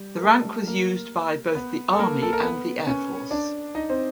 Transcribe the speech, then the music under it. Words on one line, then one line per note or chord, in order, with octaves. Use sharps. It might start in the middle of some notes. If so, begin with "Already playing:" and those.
The rank was used by both the Army and the Air Force.
Already playing: G3 G4
A#4
A3 A4
A#3 A#4
B3 B4
A4
A#3 A#4
A4
A#4
B3 B4
C#4 C#5
D4 D5
D#4 D#5
C4 C5